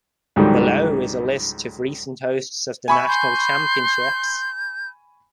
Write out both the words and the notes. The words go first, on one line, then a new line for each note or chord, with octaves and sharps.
Below is a list of recent hosts of the National Championships.
C#2 G#2 D3 D#3 F#3 G3
E5 G#5 B5 C#6
C6 G6